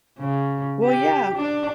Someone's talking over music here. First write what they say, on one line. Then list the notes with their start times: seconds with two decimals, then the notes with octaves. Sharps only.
Well, yeah.
0.19 C#3
0.84 G4
1.34 D4